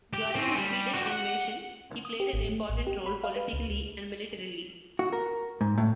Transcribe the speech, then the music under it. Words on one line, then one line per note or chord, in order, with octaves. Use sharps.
During the Swedish invasion he played an important role politically and militarily.
G4
C4 C#4
G3
F#4 G4
F#5
D#6
G4
G#1
A3
A1
G4
B5
F5
B4
C#2
F#4
A#4
G#2
A2